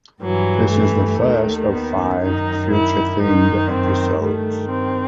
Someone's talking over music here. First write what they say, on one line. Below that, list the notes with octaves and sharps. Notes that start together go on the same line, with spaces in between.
This is the first of five future-themed episodes.
G2 E3 F#3
A3
D#2 D#3
B3
F#2 D#3 D#4
E4
F#2 D#3 D#4
C4
G2 D#3 A3
C4